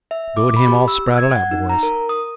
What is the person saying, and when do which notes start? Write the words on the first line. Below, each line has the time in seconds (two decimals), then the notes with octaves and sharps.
Go to him all spraddled out, boys.
0.11 E5
0.37 D6
0.56 B5
0.68 G4
0.88 E6
1.18 G#6
1.36 F#5
1.51 D#4
1.69 A#5
1.83 A#4
2.09 D#6